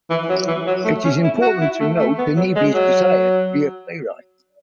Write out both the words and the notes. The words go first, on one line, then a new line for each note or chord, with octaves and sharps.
It is important to note Denevi's desire to be a playwright.
E3
F#3
E3
F#3
A3
C#4
E4
F#4
E4
A3
A3
B3
F#3
G#3
F#3